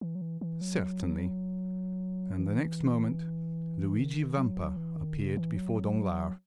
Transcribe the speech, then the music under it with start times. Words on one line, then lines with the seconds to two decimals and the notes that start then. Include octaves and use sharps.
"Certainly." And the next moment Luigi Vampa appeared before Danglars.
0.01 E3
0.15 F#3
0.21 E3
0.41 E3
0.61 F#3
2.39 E3
3.97 D#3
4.37 F#3
4.77 E3
4.97 D#3
5.17 C#3
5.37 E3
5.57 F#3